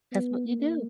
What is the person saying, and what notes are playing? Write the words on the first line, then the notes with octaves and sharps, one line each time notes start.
That's what you do.
B3
A#3